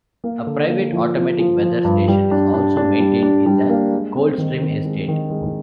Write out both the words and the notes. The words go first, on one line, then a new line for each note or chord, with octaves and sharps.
A private automatic weather station is also maintained in the Coldstream Estate.
A#3
D3
A#3
F3
F3
F3
F3
G2
G3
D4
D4
D4
G3
D4
G3
A#3
G#3
C4
D#3
D#3
G#3
D#3
G#3